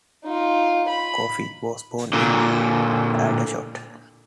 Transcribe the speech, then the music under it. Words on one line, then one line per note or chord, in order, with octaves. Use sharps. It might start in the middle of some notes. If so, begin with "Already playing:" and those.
Coffey was born in Aldershot.
D#4 F4
B5
A#2 D3